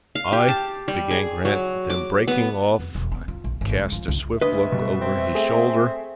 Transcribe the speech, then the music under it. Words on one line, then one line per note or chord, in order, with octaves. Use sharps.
"I----" began Grant, then breaking off cast a swift look over his shoulder.
F5
G4
A5
G3
G#4
F#3
D6
B3
F2
E1
B3
F4
A#1
G#1
C#2
F3
C#2
D2 B4 D#5 E5
B2 G3
C4
A3 G#4